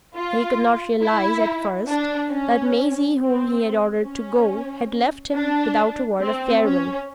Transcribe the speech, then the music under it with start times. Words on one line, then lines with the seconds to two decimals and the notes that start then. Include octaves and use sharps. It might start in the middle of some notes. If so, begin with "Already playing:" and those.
He could not realise at first that Maisie, whom he had ordered to go had left him without a word of farewell.
0.15 F4
1.02 E4
1.88 D4
2.32 C#4
3.18 C4
4.05 C#4
5.34 D4
6.21 C4
6.64 C#4